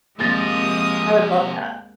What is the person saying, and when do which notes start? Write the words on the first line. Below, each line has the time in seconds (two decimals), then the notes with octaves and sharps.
I would love that.
0.19 D#2 C3 F3 G#3 C4 D#6 A6 A#6